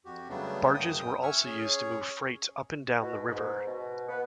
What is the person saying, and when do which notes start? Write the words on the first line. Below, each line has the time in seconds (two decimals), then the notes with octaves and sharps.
Barges were also used to move freight up and down the river.
0.05 F2 F#4 G4
0.29 C#3 F#3 G3 A3 B3 D4
0.74 F#2 G5 D#6
1.23 E5 G#5 C#6 E6 F6
1.45 C#4 G#4 C#5
3.01 B2
3.27 G#2
3.67 B2
4.09 B3